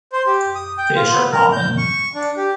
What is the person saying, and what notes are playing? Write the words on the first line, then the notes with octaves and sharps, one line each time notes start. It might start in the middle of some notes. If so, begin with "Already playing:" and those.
Fish are common.
C5
G4
D#6
G5
F4
B3
A#4
G6
C#6
D4
G4